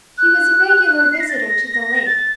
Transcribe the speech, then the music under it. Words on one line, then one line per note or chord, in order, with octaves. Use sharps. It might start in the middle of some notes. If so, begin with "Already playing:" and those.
He was a regular visitor to the lake.
F#6
C7
A#6
A6
A#6
A6